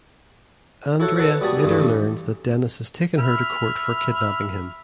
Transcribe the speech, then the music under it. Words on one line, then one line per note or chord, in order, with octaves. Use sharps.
Andrea later learns that Dennis has taken her to court for kidnapping him.
E4 F#4 A4 C#5 F#5
A4 B4 C#5 F#5
G3 B3 F#4 G#4 A5
G2 E3 A3
E5 B5 F6